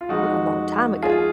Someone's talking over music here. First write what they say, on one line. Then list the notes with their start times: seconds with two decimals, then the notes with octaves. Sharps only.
a long time ago,
0.01 F4
0.09 F2 F3 G#3 D#4 F#4
1.02 F4 G#4